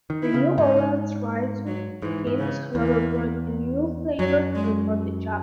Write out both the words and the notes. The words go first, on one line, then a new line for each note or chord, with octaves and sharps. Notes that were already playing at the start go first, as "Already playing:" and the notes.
The New Orleans Rhythm Kings, however, brought a new flavor to recorded jazz.
D#3
E4
C#3
G#2 D#4
F#3
G#2 E3
G#2
C#3
E2 E3
F#2 F#3
G#3